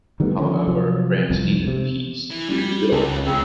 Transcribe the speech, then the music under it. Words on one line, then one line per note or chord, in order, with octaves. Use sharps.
However, France needed peace to rebuild.
D#3 G3 A3 B3
D3 F3 C#4 D4
C3 F3 F#3
C2 F2
C3
E3
G3
C#2 C#4 F4
B1 C#3 C4 C#4